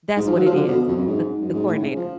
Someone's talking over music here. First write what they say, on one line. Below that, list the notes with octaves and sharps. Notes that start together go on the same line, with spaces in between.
That’s what it is, the the coordinator.
G#2
F3
F#3
F3
D3
B2
F2
F#2
G#2
F#2
G#2
A2
C#3
F3